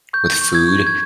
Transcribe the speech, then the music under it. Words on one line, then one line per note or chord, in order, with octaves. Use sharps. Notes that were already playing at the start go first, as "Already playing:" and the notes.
with food,
C#6 G6
C#6
G#6
C#6
G#6